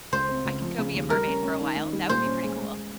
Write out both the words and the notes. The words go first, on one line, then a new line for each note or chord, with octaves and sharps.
I could go be a mermaid for a while, that would be pretty cool.
C#2 C5
C4
C#2
F3
C#3
D#2
G3 A#4
C#4
C#4
D#3
D#3
G3
A#2 C5
C#4
G#3
G#3